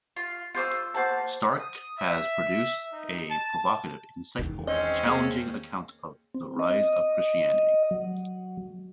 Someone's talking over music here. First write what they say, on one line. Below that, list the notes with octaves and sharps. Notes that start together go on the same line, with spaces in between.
Stark has produced a provocative, insightful, challenging account of the rise of Christianity.
F4
F4 C5 D6 E6
A#3 C5 F#5 A5
D#6
E5
D#4
A5
E2 D#3
G#3 C4 C#4 D#5
A#3 G#4
C4
D#5
F#3